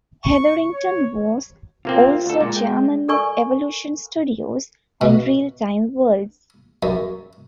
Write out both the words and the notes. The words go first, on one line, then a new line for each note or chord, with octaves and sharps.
Hetherington was also Chairman of "Evolution Studios" and "Realtime Worlds".
C#6
C#5
C3 A#3 C4 F4
D2 A4
A#2 G#3
G5
A4 A#4 D5 G#5 C#6
B2
F#2